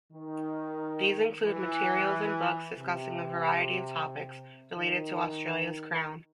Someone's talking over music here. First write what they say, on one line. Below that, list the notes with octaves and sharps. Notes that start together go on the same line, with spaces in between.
These include materials and books discussing a variety of topics related to Australia's Crown.
D#3
E3
C3
D#3